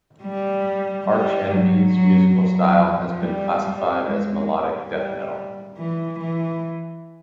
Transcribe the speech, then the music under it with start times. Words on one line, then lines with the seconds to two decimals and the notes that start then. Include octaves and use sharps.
Arch Enemy's musical style has been classified as melodic death metal.
0.23 G3
1.08 G3
1.51 F#3
1.93 F#3
2.36 F#3
2.79 F3
3.20 G3
3.64 G3
4.06 G#3
4.49 G3
4.92 G3
5.77 E3
6.19 E3